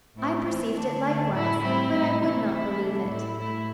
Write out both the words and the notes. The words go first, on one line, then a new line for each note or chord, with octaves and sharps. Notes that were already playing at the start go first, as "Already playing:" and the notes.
I perceived it likewise, but I would not believe it.
A2 A3 C4 E4
E3 A3 C4
D3 A3 D4
D3 A3 D4
A2 A3 E4
A2 G3 C4 E4
A2 A3 E4
C3 E3 A3 C4 E4
E3 C4 E4
C3 A3 D4
A2 A3 E4
A2 A3 E4